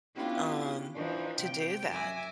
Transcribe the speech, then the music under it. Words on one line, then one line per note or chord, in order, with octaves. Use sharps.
um, to do that,
B3 C#4 D4 E4 F4 G4
E3 F3 D4 D#4
C3 G5
F#2 E5 G#5 D6 A#6